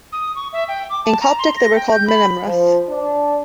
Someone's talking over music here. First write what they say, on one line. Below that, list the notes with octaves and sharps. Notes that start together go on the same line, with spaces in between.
In Coptic, they were called "Minamref".
D#6
C#6
E5
G5
D6
A5
A#5
C6
A#6
G5
G6
B5
F3
D4